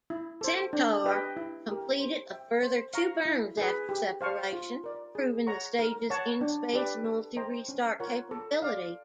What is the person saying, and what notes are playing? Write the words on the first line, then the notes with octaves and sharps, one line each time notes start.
Centaur completed a further two burns after separation, proving the stage's in-space multi-restart capability.
E4
A4 C5
D4
G4 B4 D#5 G5
E4
G4 A#4
C5
E5 G5
C5
F5 A#5 C#6
E4
G#4 B4
G4
C5 F5 A5 C#6
F4
A#4 D5
G#4
C#5 F#5 A#5 C#6
A#4
C#5 F#5 A5
D4
G4 B4 D5
A4
C5 D#5 G5 A#5
C#4
F4 A#4 C#5 F#5
A4
D5 F5